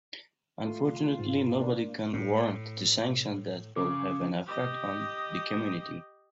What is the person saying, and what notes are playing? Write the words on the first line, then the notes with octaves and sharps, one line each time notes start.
Unfortunately, nobody can warrant the sanctions that will have an effect on the community.
A3 F4
G#2
A#3 D4
A2
C#3 D6
G4 D#5